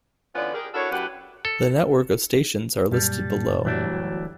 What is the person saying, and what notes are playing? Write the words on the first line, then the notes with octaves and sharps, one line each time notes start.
The network of stations are listed below.
D3 E3 B3 C#4 F4 D5
G4 G#4 A#4
D4 E4 F#4 A4 A#4 C#5
F#2 A2 G4 B4 F#5
A4
F#2 A#2 G3 A5
D2 E3 F#3 G3 A3 D4